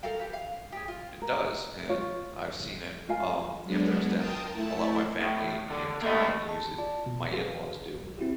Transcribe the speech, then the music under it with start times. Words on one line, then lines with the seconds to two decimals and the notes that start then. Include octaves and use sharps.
it does, and I've seen it. Um, you have to understand, a lot of my family in Thailand use it. My in-laws do.
0.03 A4 A#4 F5 G5
0.19 G4 B4
0.33 F5
0.72 G4 G#4
0.88 F4
1.21 A#4
1.89 F4 C#5
3.08 F4 A#4 F5 G#5
3.64 F#3 G#3 B3 D4
4.15 F4 A#4 G5 A5 D#6
4.52 A3 E4 A5
5.22 A2
5.70 D3
6.02 A3 A#3 D#5
6.45 G#4 A5
6.78 F4 D5 A5
7.06 B2
7.33 F#4 G#4 B4 F5
7.99 B1
8.18 C4 E4 F#4 G4